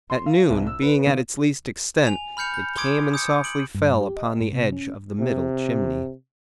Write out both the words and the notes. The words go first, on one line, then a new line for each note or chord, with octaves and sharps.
At noon, being at its least extent, it came and softly fell upon the edge of the middle chimney.
C6
F5
C2
E6
B4
C#3
G#5 F7
B5 F6 G6 C#7 F7
G6
C6 D6 D#6 G#6 D7
D#6 G6 C#7
D7 F#7
G2
G4
D#5
G#2
C3
C#4
C3